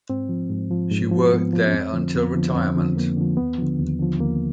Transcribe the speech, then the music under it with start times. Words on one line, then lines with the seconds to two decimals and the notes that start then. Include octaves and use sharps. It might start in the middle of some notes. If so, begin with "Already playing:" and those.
She worked there until retirement.
0.10 G#2 C4
0.29 F3
0.50 G#2
0.70 F3
0.91 G#2
1.11 F3
1.32 G#2 B3
1.53 F3
1.67 C#4
1.73 F2 C4
1.93 D3 F3
2.15 F2 B3
2.34 D3 F3
2.55 F2 C4
2.76 D3 F3
2.96 F2 A#3
3.17 D3 F3
3.37 D#2 B3
3.58 D3 F3
3.79 D#2
3.99 D3 F3
4.20 D#2 A#3